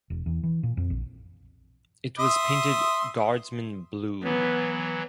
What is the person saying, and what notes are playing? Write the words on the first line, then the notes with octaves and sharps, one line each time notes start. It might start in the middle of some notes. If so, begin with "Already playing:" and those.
It was painted Guardsman Blue.
E1
E2
E3
A#2
F2
A#1
E5 C6 D#6
E3 F#3 B3